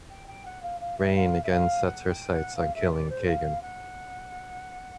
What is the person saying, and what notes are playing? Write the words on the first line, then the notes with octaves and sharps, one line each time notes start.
Rayne again sets her sights on killing Kagan.
G5
G5
F#5
F5
F5
E5
F5
E5
F5
F#5
G5
F#5
F5
E5
D5
C5
F5
F#5